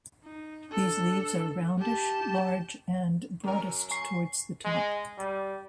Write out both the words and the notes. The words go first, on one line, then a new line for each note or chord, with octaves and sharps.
These leaves are roundish, large, and broadest towards the top.
D#4
D4 A4
G4 A5
F#2 A#4
G#5 C#6 C7
G#3
G3